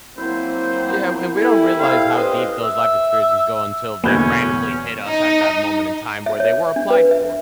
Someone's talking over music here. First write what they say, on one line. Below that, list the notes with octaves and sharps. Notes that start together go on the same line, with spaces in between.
Yeah, and w we don't realize how deep those life experiences go until they randomly hit us at that moment in time where they were applied for.
F#3 A#3 C4 E4 C5
A#5 B5
B3 A#4
G3 E4 A4 G#5
C4 F5
C#4 G4 B4 C5 D#5
E5
E2 B2 D3 A#3 C#4 B5 G6 G#6
D#4
E5
C#5
D4
B4
E5